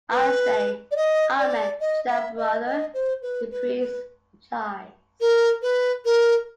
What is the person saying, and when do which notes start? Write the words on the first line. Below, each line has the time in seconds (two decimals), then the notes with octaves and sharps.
"I say, 'Amen' to that, brother," the priest replies.
0.11 B4
0.91 D5
0.96 D#5
1.39 D5
1.80 D#5
2.09 E5
2.37 D#5
2.66 D#5
2.94 C5
3.22 B4
3.51 B4
3.79 B4
5.20 A#4
5.62 B4
6.05 A#4